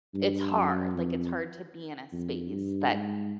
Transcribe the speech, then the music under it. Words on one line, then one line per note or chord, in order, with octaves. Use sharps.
It's hard, like, it's hard to be in a space that
G2
F#2
F2
F2
G2
G#2